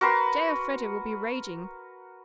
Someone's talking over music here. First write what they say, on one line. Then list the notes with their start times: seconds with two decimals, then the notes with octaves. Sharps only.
J. Elfreda will be raging.
0.01 F#4 A#4 B4 C6